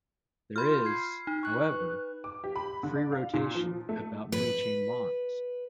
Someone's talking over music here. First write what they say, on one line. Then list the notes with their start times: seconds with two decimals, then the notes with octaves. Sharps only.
There is, however, free rotation about many chain bonds.
0.56 F4 B5 C6 F6 G6
0.85 G#6 C7
1.27 D#4
1.43 C#6 F#6
1.72 B4
2.24 D6
2.44 G4
2.56 B5
2.83 D3
2.96 D5
3.12 F5
3.34 A#2
3.55 F3
3.89 A3
4.32 B4